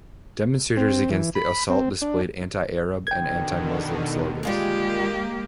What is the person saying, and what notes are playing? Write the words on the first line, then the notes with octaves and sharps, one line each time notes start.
Demonstrators against the assault displayed anti-Arab and anti-Muslim slogans.
C4
E3
B5
C4
D4
B2 D3 D#3 G5 G#6
G3 G#3 A#3 F4 G4 G#4